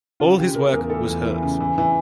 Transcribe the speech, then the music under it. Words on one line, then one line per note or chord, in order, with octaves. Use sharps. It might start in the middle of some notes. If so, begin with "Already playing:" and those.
All his work was hers.
C#3 F4
C#3 G4
C#3 A#4
E2 A#4
E3 A4
E2
E3
C#3
E3
E3